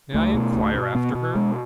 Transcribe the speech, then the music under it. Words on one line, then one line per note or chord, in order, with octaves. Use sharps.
May I enquire after her?
C#2 A3
B2
C#2
B2
B2 B3
B2
B2 G#3